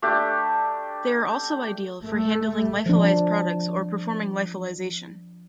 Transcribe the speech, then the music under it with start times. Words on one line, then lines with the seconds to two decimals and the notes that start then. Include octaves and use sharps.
They are also ideal for handling lyophilized products or performing lyophilization.
0.02 A3 D4 G4
2.03 A3
2.86 F3 D4